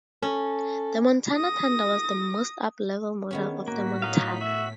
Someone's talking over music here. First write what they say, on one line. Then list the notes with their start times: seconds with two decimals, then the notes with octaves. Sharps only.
The Montana Thunder was the most up-level model of the Montana.
0.23 C#4 A4
1.35 D#6 A#6
3.31 D#3 B3 C#4
3.68 A2 A#3 F#4 B6
4.02 F#3 D#4 F5
4.41 F#4 E5